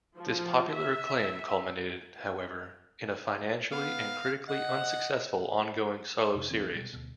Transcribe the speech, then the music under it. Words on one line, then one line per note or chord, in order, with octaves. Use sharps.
This popular acclaim culminated, however, in a financially and critically unsuccessful ongoing solo series.
F3
E5
B3 F5
D#5 F#5
F2 C3
D2 E3 C4
C2 B2 G3
D2 B2